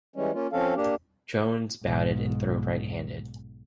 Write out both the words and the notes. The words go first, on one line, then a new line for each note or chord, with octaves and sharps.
Jones batted and threw right-handed.
E3 G3 G#3 C#4
A#3 C#4 F4
F3 C4 C#4 A4 F5
A#3 D4 G4
B1 G#2